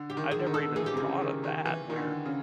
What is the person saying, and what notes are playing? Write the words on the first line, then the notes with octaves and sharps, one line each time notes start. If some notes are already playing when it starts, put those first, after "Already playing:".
I never even thought of that where
Already playing: D3
G4
D#3
G#4
D3
D#3
A4
E3 G#4
G4
C3
C#3 G#4
D#3
D#3
E3
D#3
D3
C#3